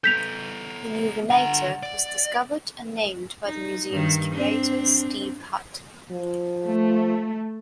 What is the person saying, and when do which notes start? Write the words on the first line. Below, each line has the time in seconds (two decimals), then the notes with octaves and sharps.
The Neovenator was discovered and named by the museum's curator Steve Hutt.
0.04 B3 A4 G6 B6 F7
1.30 D3 F#5 A#5
1.83 D5
3.45 D#4
3.91 G2 D#3
4.34 C4 D4
6.11 F3
6.63 A3